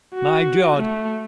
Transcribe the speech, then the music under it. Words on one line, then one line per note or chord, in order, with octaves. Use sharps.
My God!
F#4
A3